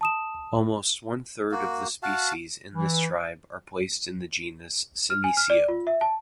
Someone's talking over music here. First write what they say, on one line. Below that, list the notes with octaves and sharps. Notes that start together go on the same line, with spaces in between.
Almost one-third of the species in this tribe are placed in the genus "Senecio".
A5 D#6 E7
A#3 F#4
F#4 F5 F#5 A5
E3
F6
G#5
F6
D5
F4
E5
A5